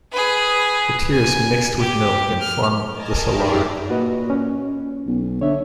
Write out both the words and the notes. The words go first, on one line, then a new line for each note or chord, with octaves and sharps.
Her tears mixed with milk and formed the Salar.
G#4 B4
G#5
G4
F6
A#4 D#5 G#5 A5
D#4 G4 G#4 A#4 D5 E5
A#2 F#4 B4 D#5
C#4
B1
D3 C#5 E5